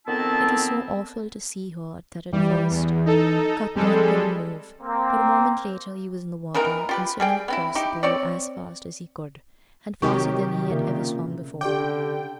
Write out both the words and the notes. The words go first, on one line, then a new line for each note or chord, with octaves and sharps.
It was so awful to see her that at first Cuthbert couldn't move; but a moment later he was in the water and swimming across the pool as fast as he could, and faster than he had ever swum before.
F2 D#3 B3 C4 E4 A5
E3 G3 E4
E2
D#4 A4
F3 G3 G#3 C4 A4
A#3 C4
D#3 E3 B3 A#4
F4 G4 B4
G3 G#4 G5
B3 C4 E4
D#4 E4 G4
C4 C#5 D5
C3 D#3 F#3 C4 G4 C#6
A#2 C#3 A#4 E5
D3 G4 D5 G5 D6